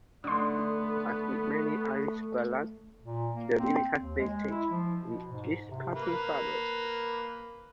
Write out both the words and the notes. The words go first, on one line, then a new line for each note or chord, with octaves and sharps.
As with many Irish ballads, the lyrics have been changed with each passing cover.
D3 A3 B3 D#4 C6 D#6
A#2
A#3
C4
D#2
G#3
E4
F3
B2
G#2
C3
A#3 B4